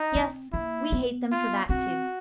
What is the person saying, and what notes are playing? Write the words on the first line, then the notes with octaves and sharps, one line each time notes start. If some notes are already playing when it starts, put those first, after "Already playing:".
Yes, we hate them for that too.
Already playing: D#4
C4
A#3 E4
B3
F4
C4 F#4